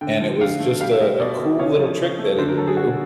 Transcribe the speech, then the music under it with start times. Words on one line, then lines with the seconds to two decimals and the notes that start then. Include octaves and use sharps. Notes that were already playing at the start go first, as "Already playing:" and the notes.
and it was just a a cool little trick that he would do,
0.01 D3 G5
0.21 F3
0.41 D3 F5
0.60 A3
0.80 G3 F5
0.91 E5
1.00 G3 D#5
1.19 B2 D5
1.39 B2
1.59 C#3 C#5
1.79 F3
1.99 C#3
2.19 A3
2.38 D3 C5
2.48 A#4
2.58 F#3 A4
2.67 G#4
2.77 D3 F#4